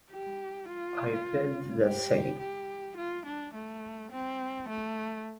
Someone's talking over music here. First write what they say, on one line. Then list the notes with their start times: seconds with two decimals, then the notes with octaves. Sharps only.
I felt the same.
0.11 G4
0.68 F4
1.83 G4
2.40 G4
2.97 F4
3.26 D4
3.54 A3
4.12 C4
4.69 A3